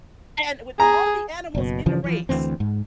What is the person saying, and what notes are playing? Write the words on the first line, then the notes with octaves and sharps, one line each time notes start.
and with all the animals in the race,
G#4 A#5
F#1 B2
G2 C#3 E3 F3
E3 F3
D2 D#3 E3 C4
G#2